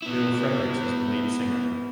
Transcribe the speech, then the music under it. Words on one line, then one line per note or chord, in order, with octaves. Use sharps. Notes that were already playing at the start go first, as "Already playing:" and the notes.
Bill Fredericks is the lead singer.
B3 E4